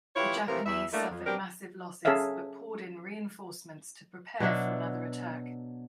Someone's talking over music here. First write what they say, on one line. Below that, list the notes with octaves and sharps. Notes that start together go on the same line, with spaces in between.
The Japanese suffered massive losses, but poured in reinforcements to prepare for another attack.
E3 E4 F4 G4 C#5
C3 E3 F3 A3 F4 A#4
E2 E5
F#3 A3 A#3 D4 E4
F2
B2 C4 D4 G4 A#4
C#4 G#4 A4 C#5 E5 F5
B2 F#3 D4 E5